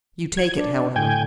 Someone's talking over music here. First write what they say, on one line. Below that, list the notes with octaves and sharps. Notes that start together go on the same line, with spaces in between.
"You take it, however."
G#6
D4
A2 D3 G5 G#5